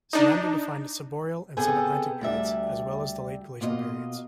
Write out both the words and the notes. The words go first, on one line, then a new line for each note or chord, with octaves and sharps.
Sernander defined subboreal and subatlantic periods, as well as the late glacial periods.
D4 D#4
C3 B3 G#4 A4 G5 G#5
D2 G3 E5
B2 A#3 F4 D#5